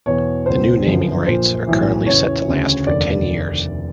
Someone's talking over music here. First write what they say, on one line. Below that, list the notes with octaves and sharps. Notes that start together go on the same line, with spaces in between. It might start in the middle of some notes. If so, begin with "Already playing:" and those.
The new naming rights are currently set to last for ten years.
E2 B2 C#5
C#2 B2 C5
G1 F#2 D3 F3
A#1 A#2 F3 C5
B1 A2 E3
E2 C#3 E3 C#5
D2 C#3 E3
F1 D#2 D3 D5